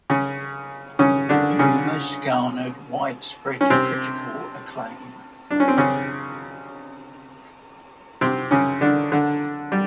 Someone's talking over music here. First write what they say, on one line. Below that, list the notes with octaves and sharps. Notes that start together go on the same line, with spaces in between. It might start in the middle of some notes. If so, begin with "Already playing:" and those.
"Rumours" garnered widespread critical acclaim.
C#3 C#4
C#3 C#4
D3 D4
C#3 C#4
C#4
C3 C4
D4
C#4
C4
C#3 C#4
C3 C4
C#3 C#4
D3 D4
D3 D4
G3